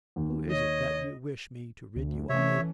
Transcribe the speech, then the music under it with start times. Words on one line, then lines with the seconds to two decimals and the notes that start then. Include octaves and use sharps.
Who is it that you wish me to rid you of?'
0.16 D#2
0.51 C#5 D#5
1.96 D2
2.29 C3 E3 A3 C#4 C#5 E5